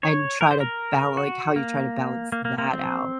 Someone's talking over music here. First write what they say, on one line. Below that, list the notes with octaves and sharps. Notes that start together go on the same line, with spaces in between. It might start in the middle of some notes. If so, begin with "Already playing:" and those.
and try to bal like, how you try to balance that out.
C#5
A#4
C5
A#4
F#4
A#3
A#3
A#3
A#3
C4